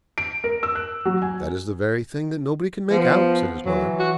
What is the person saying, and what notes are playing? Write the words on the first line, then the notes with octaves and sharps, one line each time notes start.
"That is the very thing that nobody can make out," said his mother.
D7
A#4
E6
F#6
F#3
G#5
F3 B3
E3 F#3
F#4